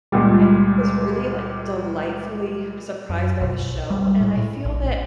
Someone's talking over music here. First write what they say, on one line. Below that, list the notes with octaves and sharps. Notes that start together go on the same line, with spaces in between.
I was really, like, delightfully surprised by this show, and I feel that
C#2 A#2 G3
F#2
B1
G3
A2
A2
A#1